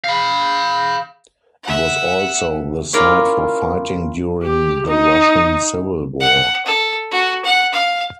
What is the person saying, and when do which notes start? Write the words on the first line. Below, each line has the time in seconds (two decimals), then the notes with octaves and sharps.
It was also the site for fighting during the Russian Civil War.
0.04 F5 B5
1.64 E5 F#5
2.93 C#4 E4 F4 A#4 D5
4.43 G4
4.87 D#4
6.20 F#5
6.66 A4
7.11 F#4
7.45 F#5
7.73 F5